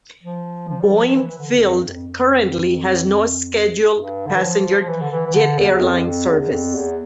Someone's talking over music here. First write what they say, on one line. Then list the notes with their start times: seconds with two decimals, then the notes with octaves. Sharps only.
Boeing Field currently has no scheduled passenger jet airline service.
0.23 F3
0.69 F3
0.81 G3
0.94 F3
1.15 E3
1.27 E3
1.38 D3
1.58 E2
1.62 F2
1.81 G2
1.85 F2
2.08 F2
3.95 G2
4.27 D3
4.34 E3
4.42 F3
4.80 F3
4.88 E3
5.02 D3
5.11 E3
5.26 E3
5.35 D3
5.58 E2
5.81 F2
6.05 F2
6.27 E2
6.40 E2
6.52 F2
6.75 E2